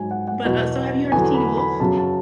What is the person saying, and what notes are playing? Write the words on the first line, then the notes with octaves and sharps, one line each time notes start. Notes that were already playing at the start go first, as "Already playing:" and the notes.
But, uh, so have you heard of Teen Wolf?
Already playing: G#2 F#3 G#5
F#5
F#5
E2 B2 F#3
E2 D3 F#3 G#5
B5
B5
F#2 C#3 F#3 A5
A5